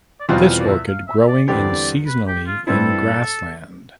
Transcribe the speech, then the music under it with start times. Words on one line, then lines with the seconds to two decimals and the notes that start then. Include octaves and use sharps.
This orchid growing in seasonally in grassland.
0.20 D5
0.28 E2 B2 G3 C4 F4 C5
0.43 E5
0.48 F5
0.60 D5
0.68 E5
0.88 F5
1.08 E5
1.19 E5
1.28 D5
1.48 E2 D3 G3 C4 G4 D5
2.07 B4
2.28 G4
2.47 F4
2.67 G2 E3 G3 C4 E4 A4